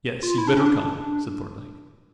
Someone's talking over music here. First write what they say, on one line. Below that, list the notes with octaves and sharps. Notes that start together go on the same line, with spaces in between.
"Yes, you'd better come," said Thorndyke.
F4
E4
D4
C#4
D4